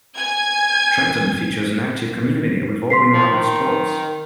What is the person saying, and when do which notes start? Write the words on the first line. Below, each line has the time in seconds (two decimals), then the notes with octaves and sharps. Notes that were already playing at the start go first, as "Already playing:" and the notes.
Trenton features an active community revolving around sports.
0.18 G#5 G#6
2.90 C6 B6 C7
3.13 F3
3.31 D#3